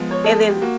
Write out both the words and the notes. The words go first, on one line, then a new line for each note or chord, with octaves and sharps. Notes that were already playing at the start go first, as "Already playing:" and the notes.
and then,
Already playing: F3 G#3 B3
C#5
A4
G4
A#3 F#4